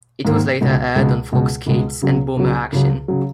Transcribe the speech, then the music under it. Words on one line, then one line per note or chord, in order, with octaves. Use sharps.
It was later aired on Fox Kids and Boomeraction.
G#2 D#3 A#3
C#2 B2 G#3
C#2 B2 G#3
C#2 B2 G#3
C#2 B2 G#3
C#2 C#3 F#3
C#2 C#3 F#3
C#2 C#3 F#3
C#3 F#3